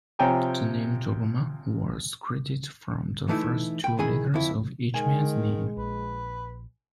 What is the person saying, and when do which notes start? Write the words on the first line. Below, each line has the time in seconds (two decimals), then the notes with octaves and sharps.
The name Dobama was created from the first two letters of each man's name.
0.19 C3 F3 C#5 G5 G#5 A#5
3.28 E3 A3 D#4 E4
3.84 G5 B5
3.99 D#3 E4 G#4 G#5 B5
4.34 F2 E4
4.94 D#3 G#3 G#5
5.77 A#1 B4